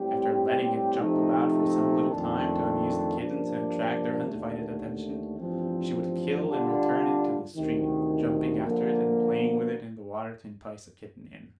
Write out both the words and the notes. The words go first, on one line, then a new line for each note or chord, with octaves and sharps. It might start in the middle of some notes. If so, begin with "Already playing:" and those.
After letting it jump about for some little time, to amuse the kittens and attract their undivided attention, she would kill and return it to the stream, jumping after it and playing with it in the water to entice a kitten in.
Already playing: A2 G3 C4 G4
C3 F3 A3 D#4
F2 D#3 A3 D4 A4
G2 F3 A#3 D4
D#2 D3 A3
A1 G2 F3 C4
D3 G3 D4 F4
D2 C3 D#3
D3 F3 A#3